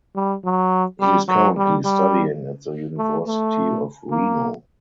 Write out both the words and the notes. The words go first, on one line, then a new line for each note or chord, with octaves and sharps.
He is currently studying at the University of Reno.
G3
F#3
G3
F#3
G3
G3
A3
A3
A#3